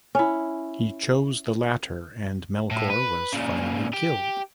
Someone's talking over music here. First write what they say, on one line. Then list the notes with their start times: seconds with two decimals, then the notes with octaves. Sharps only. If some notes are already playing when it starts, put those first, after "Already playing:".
He chose the latter, and Melkor was finally killed.
0.15 C#4 E4
2.71 A2
2.90 B4
3.33 A#2 C#3
3.93 G4